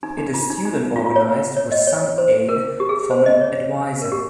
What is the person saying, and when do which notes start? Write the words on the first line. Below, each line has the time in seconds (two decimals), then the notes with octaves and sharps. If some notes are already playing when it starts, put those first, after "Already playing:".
It is student-organized, with some aid from an advisor.
0.03 D#4
0.19 D#4
0.34 F4
0.50 D#4
0.65 D#4
0.96 F4
1.06 F4
1.16 C#5
1.57 C#5
1.72 D#5
1.87 C#5
2.18 C5
2.49 A#4
2.80 G4
2.89 G#4
3.11 C5
3.26 D#5
3.41 C#5
4.02 A#4
4.12 G4